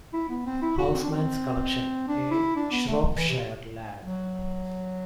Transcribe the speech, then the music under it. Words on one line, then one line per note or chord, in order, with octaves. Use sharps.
Housman's collection "A Shropshire Lad".
E4
B3
C4
E4
F#4
C4
D4
C4
D4
E4
D4
B3
A3
E3
C3
F#3